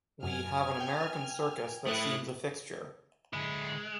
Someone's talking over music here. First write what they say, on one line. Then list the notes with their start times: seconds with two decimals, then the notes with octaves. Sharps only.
We have an American circus that seems a fixture.
0.23 F#2 G#5 F6
0.80 G5
1.87 A3 E4 D#6 F#6
3.33 D3 G#3 E4